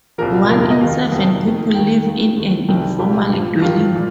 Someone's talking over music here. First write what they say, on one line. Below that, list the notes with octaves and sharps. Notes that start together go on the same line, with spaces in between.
One in seven people live in an informal dwelling.
C2 A#2 F3 A#4
F2 C3 F3 A#4
A#4
D#5
D#2 D#3 F5
F2 C3 D#3
F2 D#3
D#2 D#3 G5
D#2 D#3
D#2 D#3
C2 C3 D#3 G5
C2 A#2 F3 G4
G2 F3
G2 D#3 F4
A#2